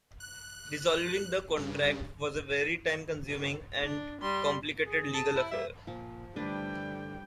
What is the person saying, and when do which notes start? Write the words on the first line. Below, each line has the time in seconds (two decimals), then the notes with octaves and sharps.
Dissolving the contract was a very time consuming and complicated legal affair.
0.20 F#6
1.57 G2 C#3
3.83 D4
4.21 G3 C6
4.86 G#4
5.14 A5
5.35 E4
5.51 G3 A#3 E5
5.87 A#2 F3
6.36 D3 G3 A3 D4 B4 G5